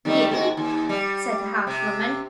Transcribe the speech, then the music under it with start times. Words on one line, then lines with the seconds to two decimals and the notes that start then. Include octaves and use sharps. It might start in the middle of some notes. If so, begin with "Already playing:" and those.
"You!" said the harsh woman.
0.05 D#3 G3 A3
0.29 D#2 G#2 F#4
0.57 D#2
0.89 G3
1.67 C3